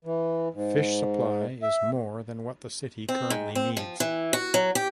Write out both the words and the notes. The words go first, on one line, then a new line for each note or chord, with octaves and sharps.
Fish supply is more than what the city currently needs.
E3
G#2
E5
C4
G#2
C4
F3
E3
F#4
F#3
G4